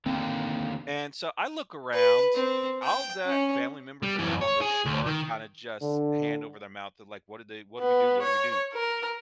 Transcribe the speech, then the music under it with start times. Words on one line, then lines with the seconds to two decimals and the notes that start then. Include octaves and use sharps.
and so I look around. All the family members are now on the shore kinda just hand over their mouth to like, what do they "What do we do, what do we do?"
0.06 D3 D#3 A#3 C4
1.93 B4
2.34 C4
2.83 G5
3.26 C#4
4.03 G3
4.19 F#2 E3
4.41 C#5
4.61 G#4
4.85 D2
5.06 D#3
5.82 D3
7.79 B3
8.22 C#5
8.73 A#4